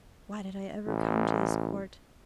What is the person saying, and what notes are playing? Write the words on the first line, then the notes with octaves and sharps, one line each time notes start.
Why did I ever come to this court?
A1